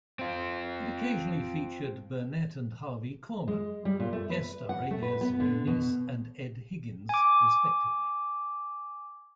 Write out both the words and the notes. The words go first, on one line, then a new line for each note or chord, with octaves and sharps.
It occasionally featured Burnett and Harvey Korman guest-starring as Eunice and Ed Higgins, respectively.
C4 F4
G#3
G3
A#2
A3
B4
F#5
A3
B4
B3
D3
B2
G#5 D6